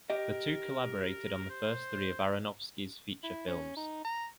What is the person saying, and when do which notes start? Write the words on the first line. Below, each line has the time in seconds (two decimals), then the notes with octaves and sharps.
The two collaborated on the first three of Aronofsky's feature films.
0.10 G4 A#4 D#5
1.50 C5
3.24 E4
3.48 C#4
3.77 D#4
4.05 A#5